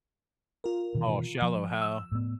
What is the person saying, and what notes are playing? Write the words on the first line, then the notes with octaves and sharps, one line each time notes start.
Oh, Shallow Hal.
F4 A#4
B2 D#3 E3
F3
E6
A2 B3